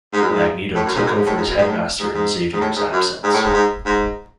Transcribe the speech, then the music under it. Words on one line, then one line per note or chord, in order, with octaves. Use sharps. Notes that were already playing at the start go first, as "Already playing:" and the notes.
Magneto took over as headmaster in Xavier's absence.
G#2
F#2
G#2
A2
F#2
G#2
F#2
G#2
A2
G#2
F#2
G#2
A2
G#2
G#2
G#2
A2
G#2
F#2
G#2
A2
G#2
G#2
G#2